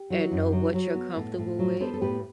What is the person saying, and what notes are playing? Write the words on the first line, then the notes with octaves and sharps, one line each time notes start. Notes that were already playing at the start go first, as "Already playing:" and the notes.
and know what you're comfortable with,
Already playing: G4
F#3
F#2
F#3
F#3
B3
A2
A2
F#3
B3 A4 C5
A4
A2 G4 B4